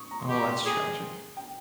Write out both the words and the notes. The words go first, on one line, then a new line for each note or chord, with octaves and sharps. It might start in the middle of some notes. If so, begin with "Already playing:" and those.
Oh, that's tragic.
Already playing: C#6 D#6
A#5
C6
G4
A#5
C6
G5
G#4
G5